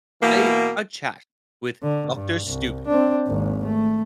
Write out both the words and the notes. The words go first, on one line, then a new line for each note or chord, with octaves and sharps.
a a chat with Doctor Stupid."
B2 E3 A#3
D3
G2
C2
C4 D4
G#1 D#2
A3